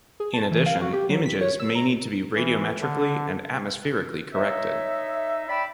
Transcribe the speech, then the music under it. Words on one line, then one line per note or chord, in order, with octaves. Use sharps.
In addition, images may need to be radiometrically and atmospherically corrected.
G#4
A5
E3
F5
F#4
G4
F#3
B6
C#5
E6
A#5
E3
D3
D#4 C#5 D#5 E5
D5 E5 G5 B5